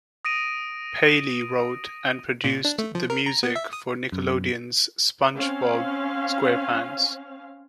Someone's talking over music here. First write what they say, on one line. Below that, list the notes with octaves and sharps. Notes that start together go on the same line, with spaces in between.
Paley wrote and produced the music for Nickelodeon's SpongeBob SquarePants.
D#6 A#6 D7 D#7
A#2
D4
A3
F3
A#4
A#5
B3
E5
D#6
F#2
C4 C#4 F5